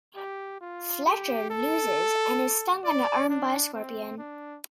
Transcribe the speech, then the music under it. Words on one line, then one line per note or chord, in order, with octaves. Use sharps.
Fletcher loses and is stung on the arm by a scorpion.
G4
F4
G4
A4
D5
D4
C4
D4